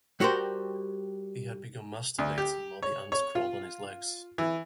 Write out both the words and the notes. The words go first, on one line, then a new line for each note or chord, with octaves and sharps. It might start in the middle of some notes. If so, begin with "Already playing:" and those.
He had begun masturbating while the ants crawled on his legs.
G3 F#4 G4 A#4 C5
D2
G4
C#5
C#5
F4
E3